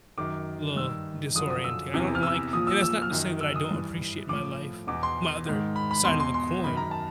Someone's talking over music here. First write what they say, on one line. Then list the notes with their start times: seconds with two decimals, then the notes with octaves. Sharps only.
li'l disorienting. I don't like" and that's not to say that I don't appreciate my life, my other side of the coin.
0.18 F#2 D#3 D6
0.76 G2 D#3 E6
1.35 F#2 D3 F3 D#6
1.50 D#6
1.64 E6
1.94 E2 C3 E3
2.15 F6
2.23 E6
2.53 A#2 F3 D#6
2.67 E6
2.82 E6
3.02 F6
3.11 F#2 D#3
3.41 E6
3.56 D#6
3.71 G2 E3
4.29 A2 F3 D6
4.87 E2 B2 D6
5.03 C6
5.46 G#2 D#3
5.76 B5
5.91 B5
6.05 E2 B2 C6
6.20 C6
6.34 C6
6.64 F#2 D#3 B5
6.77 A#5
6.91 A5